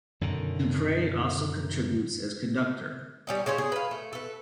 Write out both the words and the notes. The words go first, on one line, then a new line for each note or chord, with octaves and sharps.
Du Prez also contributes as conductor.
F#2 B2 D3 D#3
G3 C#4 D#4
C#3 C#4 C5 C#5
G#4
B4 F5
A3
A4 B4